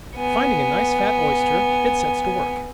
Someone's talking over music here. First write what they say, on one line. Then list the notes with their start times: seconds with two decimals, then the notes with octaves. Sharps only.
Finding a nice fat oyster, it sets to work.
0.17 B3 G#5